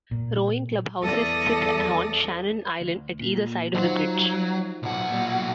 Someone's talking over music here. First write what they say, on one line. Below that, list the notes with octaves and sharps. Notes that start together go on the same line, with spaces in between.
Rowing clubhouses sit on Shannon Island at either side of the bridge.
A#2
E2 G3 A4 D5 D#6 A#6
D2
A#2
F#3 D#4 F4 C5
B1 F#4
A#2 G3